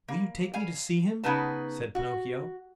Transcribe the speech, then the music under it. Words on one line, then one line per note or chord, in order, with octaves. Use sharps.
"Will you take me to see him?" said Pinocchio.
A#3
F5 G#5
C#3 B3 D#4 B4 A5
F#4